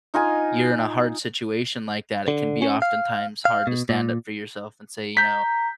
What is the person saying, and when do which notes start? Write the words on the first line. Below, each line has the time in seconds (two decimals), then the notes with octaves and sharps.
you're in a hard situation like that, it can be oftentimes hard to stand up for yourself and say, you know,
0.14 D#4 F4 D#5 G#5
2.28 D3
2.62 C#4
2.82 F5
3.45 F5
3.67 B2
3.89 A#2
5.17 A#5 G6 B6